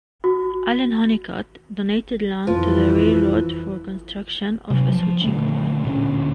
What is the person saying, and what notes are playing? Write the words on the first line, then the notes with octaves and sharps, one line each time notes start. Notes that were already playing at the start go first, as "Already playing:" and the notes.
Allen Honeycutt donated land to the railroad for construction of a switching point.
F#4
F2 E3 F3
C3 F#3
F3
A#2 D3 D#3 A3
D1 A#2 D3 C#4